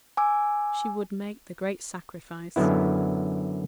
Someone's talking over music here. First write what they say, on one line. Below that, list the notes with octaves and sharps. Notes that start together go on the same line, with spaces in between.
She would make the great sacrifice.
G#5 D6 E6
F#2 D3 F#3 B3 E4